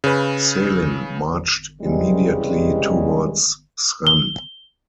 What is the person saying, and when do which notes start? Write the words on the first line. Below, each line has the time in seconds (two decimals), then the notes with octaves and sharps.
Selim marched immediately towards Srem.
0.04 C#3 B4
1.82 C2 C#3 E3 G3 G#3
4.07 G7